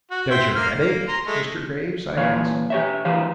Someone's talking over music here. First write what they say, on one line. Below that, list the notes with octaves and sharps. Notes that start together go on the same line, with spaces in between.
"Does your head ache, Mr. Graves?" I asked.
F#4
C5 E5 G5
A#3 F6
A#3
A#5 C6
G#3 A3
A#2 E3 C#5 F5
G4 C#5 E5
E3 G4 C5 F5